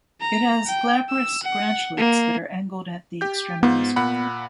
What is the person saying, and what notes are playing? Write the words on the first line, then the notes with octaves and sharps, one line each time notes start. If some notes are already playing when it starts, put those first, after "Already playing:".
It has glabrous branchlets that are angled at the extremities.
A#5
G5
E6
F#5
A#3
G4 G6
G#2 B3 F4
A#2 F#5 B5